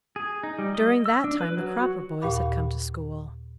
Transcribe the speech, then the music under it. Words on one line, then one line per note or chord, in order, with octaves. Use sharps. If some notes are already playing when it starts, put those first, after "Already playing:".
During that time the Cropper boys had come to school.
G#4
D#4
G3
D#5
E6
D4
B4
F#3
F#4
D#2 A#2 G4 F5 B5 D6